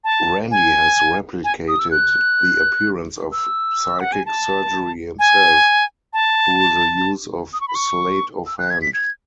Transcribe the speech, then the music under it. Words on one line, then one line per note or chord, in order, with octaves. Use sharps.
Randi has replicated the appearance of psychic surgery himself through the use of sleight-of-hand.
A5
G#5
G#5
D#6
E6
F#6
E6
F#5
G#5
A5
G#5
A5
D#6
C#6
B5
C#6
E6
F#6
G#6
B6
G#6